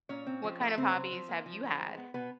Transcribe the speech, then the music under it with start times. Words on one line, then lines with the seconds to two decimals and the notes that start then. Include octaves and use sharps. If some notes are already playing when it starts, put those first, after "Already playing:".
what kind of hobbies have you had?
0.09 A#2 C#4 C#5
0.27 C4
0.44 F3
0.61 A3
0.78 C#3 C4 C5
0.95 C#3
1.12 F3
1.29 A#3
1.46 F3
1.63 F3
1.80 G#3
1.97 B3
2.14 B2 B3 B4